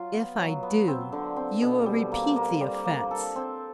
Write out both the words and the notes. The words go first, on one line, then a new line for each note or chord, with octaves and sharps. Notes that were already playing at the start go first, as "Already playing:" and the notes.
'If I do, you will repeat the offence.'
Already playing: F#3 F4
B3
F#3
B3
C4
D3
C4
B2
G3
A#3
A#3
G3
A#3
A4
C4